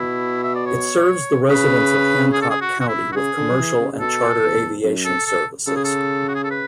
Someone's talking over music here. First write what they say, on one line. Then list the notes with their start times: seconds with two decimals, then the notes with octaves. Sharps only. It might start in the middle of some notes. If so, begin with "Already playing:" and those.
It serves the residents of Hancock County with commercial and charter aviation services.
Already playing: B2 E4
0.44 E5
0.55 D5
0.67 C#5
1.49 C#3 B4
2.33 G#4
2.42 A4
2.50 G#4
2.61 F#4
2.80 F#4
2.88 E4
3.12 F#4
3.16 C#3 G#4
3.37 D3
3.51 F#3
3.58 E3
3.79 C#3
3.92 C#3
4.00 B2 A4
4.43 E2
4.84 F#2
5.05 A4
5.26 A4
5.67 C#3 A4
5.76 G#4
5.85 A4
6.28 F#4
6.35 G#4
6.44 A4
6.51 B4